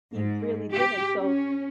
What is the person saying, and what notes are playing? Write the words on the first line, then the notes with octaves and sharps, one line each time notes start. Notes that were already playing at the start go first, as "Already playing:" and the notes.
he really didn't, so
G#2
G4
C#4